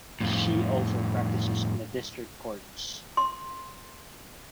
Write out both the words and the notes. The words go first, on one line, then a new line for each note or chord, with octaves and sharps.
She also practices in the district courts.
F2 A2
C6